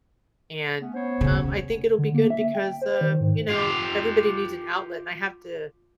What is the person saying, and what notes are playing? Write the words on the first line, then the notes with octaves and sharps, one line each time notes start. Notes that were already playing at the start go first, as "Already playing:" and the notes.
and, um, I think it'll be good because, uh, you know, everybody needs an outlet and I have to
A3 B3 C#4
B3 C5 C#5
D#1 C#3
D3
A#3
E5
G5
C5
D#3
G#2
F4 G4